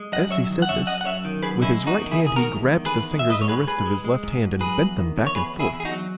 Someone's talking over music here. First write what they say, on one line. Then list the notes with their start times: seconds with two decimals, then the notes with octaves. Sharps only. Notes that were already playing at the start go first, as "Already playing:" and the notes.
As he said this, with his right hand he grabbed the fingers and wrist of his left hand and bent them back and forth.
Already playing: G#3
0.12 F#2 D#5 F#5
0.31 F#3 C#5 E5
0.50 D#3
0.62 F#5
0.68 F#2 C#5 E5
0.87 F#2 D#5 F#5
1.01 F#5
1.05 F#2 C#5 E5
1.25 D#3
1.43 F#2 G#4 B4
1.61 G#3 C#4 E4
1.81 E2
1.87 D#4 F#4
2.00 D#3
2.11 E4 G#4
2.18 D#3
2.27 G#4
2.36 G#3 F#4 A#4
2.55 E2
2.73 D#3
2.86 G#4 B4
2.92 E2
3.11 G#3
3.19 E5
3.29 G#2 B4 D#5
3.41 C#5
3.48 G#2 G#4 B4
3.67 G#2 G#4 B4
3.86 G#3
4.05 G#3
4.23 G#2
4.42 G#2
4.60 F#3 G#4 B4
4.79 E2
4.98 D#3
5.17 E2
5.27 C#5
5.35 E2 G#4 B4
5.54 E2
5.59 E4 G#4
5.72 E2
5.80 G#4
5.85 D#4 F#4
5.91 F#3